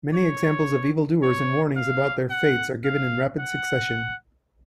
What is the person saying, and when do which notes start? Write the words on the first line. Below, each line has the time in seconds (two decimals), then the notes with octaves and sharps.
Many examples of evildoers and warnings about their fates are given in rapid succession.
0.14 C#5
1.23 C#5
1.76 F5
2.30 F#5
2.85 F5
3.39 F#5